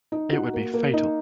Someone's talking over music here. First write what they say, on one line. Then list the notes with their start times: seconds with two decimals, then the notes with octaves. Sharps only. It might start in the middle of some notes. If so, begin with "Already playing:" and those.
It would be fatal.
0.12 D#4
0.33 F#4
0.53 A#3
0.74 A#3
0.94 D#4